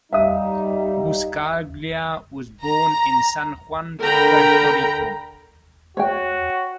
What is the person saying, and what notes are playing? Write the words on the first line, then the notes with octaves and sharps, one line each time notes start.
Buscaglia was born in San Juan, Puerto Rico.
G3 D#4 E5 F5 D#6
A#5
D3 A#4 G5 A#5 B5
F#4 C#5 G5